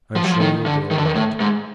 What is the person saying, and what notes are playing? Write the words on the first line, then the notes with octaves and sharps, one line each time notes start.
I'm sure you'll be all right.
F3
F#3
F3
D#3
D3
D#3
D3
D#3
A2
G#2